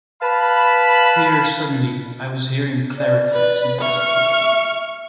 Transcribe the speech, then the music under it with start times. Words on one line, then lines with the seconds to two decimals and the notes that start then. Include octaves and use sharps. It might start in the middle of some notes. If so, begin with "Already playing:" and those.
Here, suddenly, I was hearing clarity, simplicity.
0.21 B4 F5 A5 B5
2.99 D5
3.33 B4
3.81 E5 C#6 F6